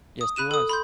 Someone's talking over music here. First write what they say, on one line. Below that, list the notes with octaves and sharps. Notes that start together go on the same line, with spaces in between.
Yes, he was.
D#6
B5 F#6 D#7 E7
A4 D#6
B5 C6 G6